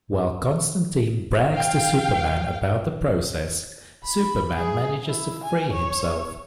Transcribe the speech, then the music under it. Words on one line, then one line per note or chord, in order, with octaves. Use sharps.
While Constantine brags to Superman about the process, Superman manages to free himself.
F5 G5
B5
G#4
E4
G#5
C#5